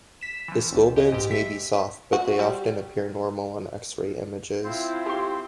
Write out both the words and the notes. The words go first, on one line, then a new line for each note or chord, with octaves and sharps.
The skull bones may be soft, but they often appear normal on X-ray images.
B6 E7
E3 F3
G1 C#2
G4 D#5
B1 G#2 G4
E5 B6
F#4
G3
C4 E4 F4 C5
G4 C6